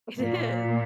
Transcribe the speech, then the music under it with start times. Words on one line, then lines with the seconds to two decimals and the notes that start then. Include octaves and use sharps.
It is.
0.18 A#2